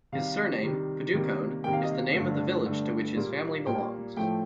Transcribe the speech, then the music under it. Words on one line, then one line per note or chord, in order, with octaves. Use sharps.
His surname, Padukone, is the name of the village to which his family belongs.
C3 D#3 G3 F5
C3 D#3 G3
C3 D#3 G3 A#3
C3 D#3 G3 A#3 G5
F5
D#5
F5
G2 D3 A3
G2 D3 A3
A#2 G3 A#3
A#2 G3 A#3 G5
A2 F3 A3 G5